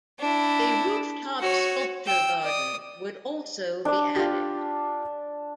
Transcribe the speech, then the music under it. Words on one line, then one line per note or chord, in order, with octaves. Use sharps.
A rooftop sculpture garden would also be added.
D4 E4
F#4 C#5
G5 E6
D5 D#6
D4 D5
F4 G4